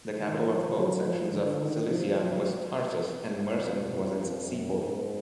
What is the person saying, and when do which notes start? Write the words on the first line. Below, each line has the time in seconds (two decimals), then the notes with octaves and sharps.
The capital of both sections of Cilicia was Tarsus and Mersin was its seaport.
0.19 D#3
0.47 F3
0.75 F#3
1.04 F3
1.32 D3
1.61 D#3
1.88 F3
2.17 F#3
3.59 F2
4.15 F2
4.44 F#2
4.72 G#2